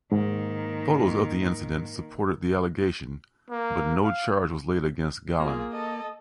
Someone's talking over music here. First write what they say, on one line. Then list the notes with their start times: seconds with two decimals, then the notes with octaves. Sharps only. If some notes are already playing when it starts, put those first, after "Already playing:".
Photos of the incident supported the allegation, but no charge was laid against Gallen.
0.12 G#2 D#3 A#3
3.50 A#3
4.03 F5
5.40 A#3 F4 G#4
5.71 A4 D#5